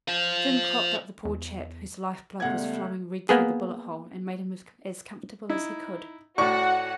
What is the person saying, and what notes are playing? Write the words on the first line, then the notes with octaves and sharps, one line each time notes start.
Jim propped up the poor chap, whose life-blood was flowing red through the bullet-hole, and made him as comfortable as he could.
C5 F5
E2
C#2 G3 A3 B3 F#5 G#6
A#3 B3 G#4
D#4 E4
A2 F#4 D5 F#5 C#6